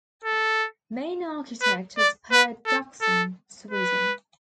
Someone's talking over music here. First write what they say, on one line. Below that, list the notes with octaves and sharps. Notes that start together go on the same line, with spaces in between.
Main architect was Per Dockson, Sweden.
A4
B4
D5
B4
A4
A4
B4